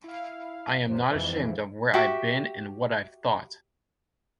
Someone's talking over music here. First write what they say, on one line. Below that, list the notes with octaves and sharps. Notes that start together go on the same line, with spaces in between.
I am not ashamed of where I've been and what I've thought.
E4 F5
A1 F#2 C3
F2 G#2 E3
F#4 G4 E5